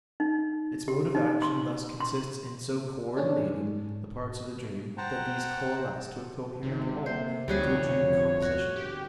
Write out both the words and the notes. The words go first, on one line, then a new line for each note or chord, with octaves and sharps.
Its mode of action thus consists in so cooerdinating the parts of the dream that these coalesce to a coherent whole, to a dream composition.
D#4
G4
D#4
C6
C6
C#4 D4
G#2
C5 F#5 G5 A5 A#5
G#1 C3
A#3 C5
F1 D2 G3 F#4 G#4 C#5
F2
F#4
G1 G4